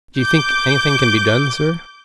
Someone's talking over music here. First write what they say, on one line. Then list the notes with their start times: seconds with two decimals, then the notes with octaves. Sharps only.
"Do you think any thing can be done, sir?"
0.20 D6 G6